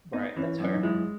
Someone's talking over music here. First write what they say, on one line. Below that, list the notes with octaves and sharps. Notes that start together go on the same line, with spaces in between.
Right, that's fair.
B3 D#4
E3 C#4
F#2 C#4
D#4
G#3 E4